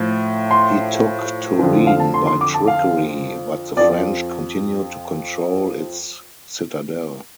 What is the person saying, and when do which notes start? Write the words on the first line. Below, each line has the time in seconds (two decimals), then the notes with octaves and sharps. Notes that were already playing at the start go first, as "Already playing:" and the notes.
He took Turin by trickery, but the French continued to control its citadel.
Already playing: A2 F3
0.51 C6
1.59 F2 D3 F3
1.87 F5
2.00 A5
2.14 C6
2.27 C6
2.41 D6
2.54 A5
2.68 F5
3.76 F2 D5
3.81 F3